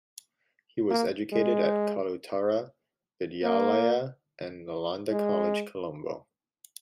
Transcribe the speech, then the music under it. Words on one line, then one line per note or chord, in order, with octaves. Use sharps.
He was educated at Kalutara Vidyalaya and Nalanda College Colombo.
A#3
G#3
A#3
G#3